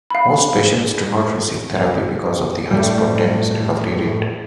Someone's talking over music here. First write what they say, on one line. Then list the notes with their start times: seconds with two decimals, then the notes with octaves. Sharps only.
Most patients do not receive therapy because of the high spontaneous recovery rate.
0.10 F5 B5
2.71 A2 G3 A3